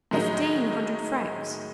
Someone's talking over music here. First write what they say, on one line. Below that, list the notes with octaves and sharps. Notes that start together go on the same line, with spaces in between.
Fifteen hundred francs!
A2 D#3 F#3 G#3 D#4